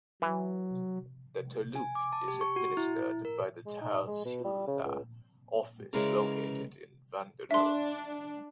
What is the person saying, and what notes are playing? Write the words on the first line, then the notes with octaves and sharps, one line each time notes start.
The taluk is administered by the Tahsildar office located in Vandalur.
E3 F#3
G#5
D6
A5
G4
C#6
F#4
E4
A#4
G#3
D#4
G#3
B2
G3
C#3
C#2
C#3 E3 G#3 A#4
D4 E5 C6